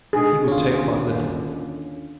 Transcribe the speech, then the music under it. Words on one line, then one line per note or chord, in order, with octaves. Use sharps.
He would take but little.
B2 G#3 D4 D#4 G#4 A4
D#2 D3 C#4 F4